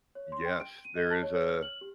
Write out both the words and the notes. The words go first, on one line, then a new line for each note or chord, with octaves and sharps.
yes, there is a
C#5
C6
G5
D7
D#7
D#5
A5
C#5
C#5
F6
F#7
G4